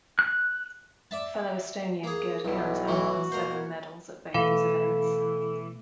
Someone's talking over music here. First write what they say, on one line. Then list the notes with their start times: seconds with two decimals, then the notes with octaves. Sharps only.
Fellow Estonian Gerd Kanter won silver medals at both these events.
0.19 F#6
1.11 D5 E5 A5
2.03 A#3 G#4
2.45 B1 G2 B3 E4
2.88 A2 E3 F#3 F#4
3.32 B2 A#3 B3 A#4 C5
4.34 B2 E3 A3 A4 F5